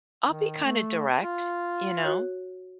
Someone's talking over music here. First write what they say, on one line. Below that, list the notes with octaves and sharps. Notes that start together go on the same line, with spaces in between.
I'll be kinda direct. You know?
D#3
A3
F4
F#4 C#5